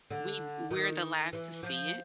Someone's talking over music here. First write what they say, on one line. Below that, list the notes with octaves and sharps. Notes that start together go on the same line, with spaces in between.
we we're the last to see it?
D3
D#3
E3
F3